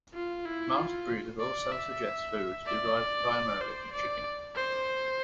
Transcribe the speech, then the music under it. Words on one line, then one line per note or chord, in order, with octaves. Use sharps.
Most breeders also suggest foods derived primarily from chicken.
F4
E4
F4
D5
E5
D5
C5
D5
C5